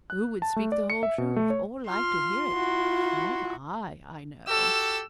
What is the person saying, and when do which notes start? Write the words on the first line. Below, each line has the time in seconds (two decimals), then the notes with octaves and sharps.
Who would speak the whole truth, or like to hear it?--not I, I know.'
0.10 F#6
0.42 A5
0.56 A3
0.72 D5
0.90 C#7
1.03 E5
1.18 B2
1.36 A3
1.50 C#5
1.90 F4 C6 F6
2.53 E4 F#4
4.48 F#4 G4 A4 E6